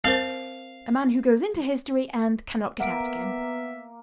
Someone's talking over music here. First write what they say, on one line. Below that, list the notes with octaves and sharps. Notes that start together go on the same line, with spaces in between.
A man who goes into history and cannot get out again.
C4 A#4 C5 F5
A#3 B3 A#4 E5 F#5 D7